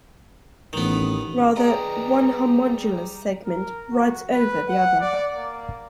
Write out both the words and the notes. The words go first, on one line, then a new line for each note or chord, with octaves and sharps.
Rather, one homologous segment "writes over" the other.
A1 D#3 B3
G3 G#4 B4 D5 D#5 G5 A#5
A#4
F#4
B4
F#5
D5
A#3